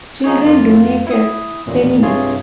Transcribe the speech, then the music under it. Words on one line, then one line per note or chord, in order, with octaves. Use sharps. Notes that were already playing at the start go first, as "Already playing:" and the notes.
Children donated pennies.
F3 D#4 G#4 C#5
F2 A#3 F4
E4 D#6
A1 D#2 A#2
G2 C3 F4 G#4 C#5 C6